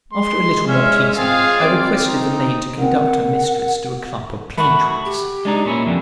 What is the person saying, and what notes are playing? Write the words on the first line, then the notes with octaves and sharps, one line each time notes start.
After a little more teasing, I requested the maid to conduct her mistress to a clump of plane trees.
G#3 C6
E2 C#4 E5 C6 F6
G#3 C4 F4 G#4 F5
C4 D5
D#4 A#5
C4 A#4 F#5
A3 F#4 B5
G4
G#3 D4 D#4
A#2 C#4 E4
F2 D3